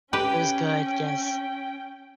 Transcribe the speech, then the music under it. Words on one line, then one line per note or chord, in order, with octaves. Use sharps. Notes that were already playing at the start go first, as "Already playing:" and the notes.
It was good, yes.
C#4 G4 B4 G5